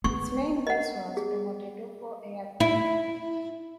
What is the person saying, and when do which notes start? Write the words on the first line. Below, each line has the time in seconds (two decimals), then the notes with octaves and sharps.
Its main base was Domodedovo Airport.
0.04 B3 C#6
0.67 D#5 F#5
1.17 G#4
2.60 E4